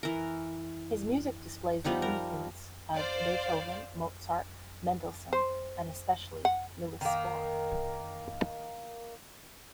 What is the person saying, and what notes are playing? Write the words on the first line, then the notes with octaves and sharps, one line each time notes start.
His music displays the influence of Beethoven, Mozart, Mendelssohn and, especially, Louis Spohr.
E3 A#4
F3 G3 B3 D#4
A#4
C5 D5 F5
C5
F#5
D#3 A#3